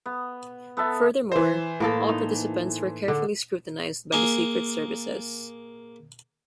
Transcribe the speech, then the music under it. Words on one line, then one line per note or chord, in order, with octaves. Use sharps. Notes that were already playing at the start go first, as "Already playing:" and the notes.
Furthermore, all participants were carefully scrutinized by the secret services.
B3
B3 A4 E5
E3 C5
A2 A#3 A4
D#4
D3
A#3 G#4